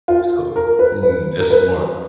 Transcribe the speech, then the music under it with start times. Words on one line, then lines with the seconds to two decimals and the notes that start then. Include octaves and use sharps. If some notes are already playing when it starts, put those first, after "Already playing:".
So, mm, that's smart.
0.08 F4
0.56 A#4
0.79 B4
1.03 B4
1.40 A#4
1.50 B4